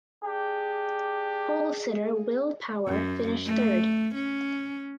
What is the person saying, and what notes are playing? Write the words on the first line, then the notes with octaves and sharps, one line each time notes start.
Polesitter Will Power finished third.
D4 G4 G#4
F#2
A3
C#4